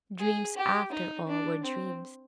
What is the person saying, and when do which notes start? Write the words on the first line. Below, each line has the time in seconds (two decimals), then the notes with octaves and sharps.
Dreams, after all, were dreams....
0.20 G#4
0.56 G4
0.92 D#4
1.28 D4
1.64 C4